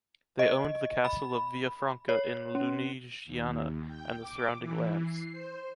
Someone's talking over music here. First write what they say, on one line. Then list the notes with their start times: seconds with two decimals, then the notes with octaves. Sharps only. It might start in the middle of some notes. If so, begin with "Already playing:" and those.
They owned the castle of Villafranca in Lunigiana and the surrounding lands.
0.39 D#5
1.05 B5
2.09 C#5
2.55 C#4
3.25 D#2
3.86 G5
4.17 D6
4.57 E3
5.01 C7
5.32 C5